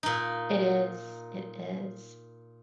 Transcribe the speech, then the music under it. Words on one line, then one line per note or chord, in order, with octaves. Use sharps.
It is, it is,
A#2 D#4